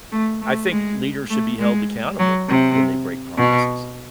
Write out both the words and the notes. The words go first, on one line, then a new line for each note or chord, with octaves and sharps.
I think d leaders should be held accountable when they break promises.
A3
A3
G#3
A3
G#3
F#3
C3
B2